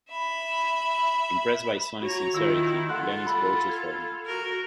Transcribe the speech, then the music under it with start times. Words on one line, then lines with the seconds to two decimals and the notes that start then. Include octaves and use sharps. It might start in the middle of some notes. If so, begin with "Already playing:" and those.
Impressed by Sonny's sincerity, Lenny vouches for him.
0.11 E5 B5
2.03 F#4 C#5 A#5
2.35 D#3 E4 F4 E6
2.89 F4 A4 F#5 C6 F#6
3.27 B5 A6
3.69 G#6
4.26 F#4 A#4